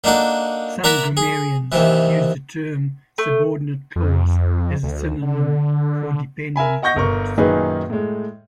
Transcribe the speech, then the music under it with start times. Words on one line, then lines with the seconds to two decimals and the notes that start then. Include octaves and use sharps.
Some grammarians use the term subordinate clause as a synonym for dependent clause.
0.04 A#3 D4 D#4 F#4 A4
0.84 A#4 D5 E5 F#5 A#5 B5
1.17 G#4
1.72 D#2 C3 E3
3.18 A3
3.96 F2
4.83 D2
5.22 D3
6.56 A#4 E5 G#5 B5
6.82 D#5 F#5 C#6 G6 A#6
6.96 G1 A#4 C#6
7.37 F#2 A#2 D#3 D#4 G#4 B4
7.90 A2 G#3